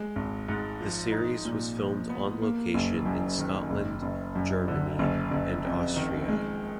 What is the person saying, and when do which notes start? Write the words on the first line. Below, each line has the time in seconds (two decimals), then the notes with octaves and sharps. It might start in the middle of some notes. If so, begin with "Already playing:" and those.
The series was filmed on location in Scotland, Germany and Austria.
Already playing: G#3
0.16 G#1
0.48 G#2
0.81 F3
1.12 D#4
1.45 A#2
1.77 F3
2.09 B3
2.42 A#3
2.74 F#1
3.06 F#2
3.38 D#3
3.70 F#1
4.03 F#1
4.35 F#2
4.68 D3
4.99 F#1
5.31 F#1
5.65 F2
5.96 D#3
6.29 G#3